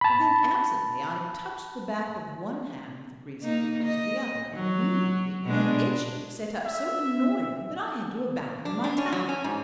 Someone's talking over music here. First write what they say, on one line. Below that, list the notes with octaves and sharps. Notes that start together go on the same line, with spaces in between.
Then, absently, I touched the back of one hand with the greasy fingers of the other and immediately an itching set up so annoying that I had to abandon my task.
A5 B5
A#3 D#4
D#5
F#3
B2 G#3 D4
E5
D4
D4
C#4
F#3
C#4
G#2